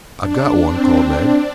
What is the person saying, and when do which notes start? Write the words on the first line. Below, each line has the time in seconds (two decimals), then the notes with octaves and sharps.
"I've got one," called Ned.
0.22 D4
0.69 C4
1.16 D4